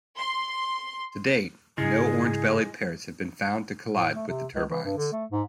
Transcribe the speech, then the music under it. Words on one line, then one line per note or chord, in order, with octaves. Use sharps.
To date no orange-bellied parrots have been found to collide with the turbines.
C6
G#2 C#3 G#3 E4 G#4
A2
A3
C3
C#2
E3
G2
D3
A3
G#2